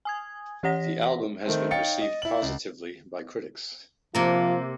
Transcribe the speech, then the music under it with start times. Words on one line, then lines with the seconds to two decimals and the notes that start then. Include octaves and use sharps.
The album has been received positively by critics.
0.05 G#5 D#6 G#6
0.63 E3 G4 C#5 F#5 A#6 B6
1.46 D#3 A3 C4
1.70 D#4 C#5 F5 G5 A6 C#7
2.02 D#5
2.22 E4 F#7
2.42 C#2
4.15 C3 F3 A#3 F4